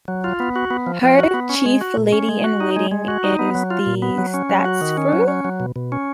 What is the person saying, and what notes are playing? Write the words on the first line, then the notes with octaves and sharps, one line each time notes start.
Her chief lady-in-waiting is the "statsfru".
F#3
F4
B3
F#4
B3
F3
F3
F#4
B3
C#4
G#3
F#4
A#2
C#4
G#3
F#4
D#4
G#3
G#3
F#4
D#4
B3
F#3
F4
A#2
B3
F#3
C#4
F#3
F#4
D#3
C#4
F#3
C#4
F#3
B2
B2
C#4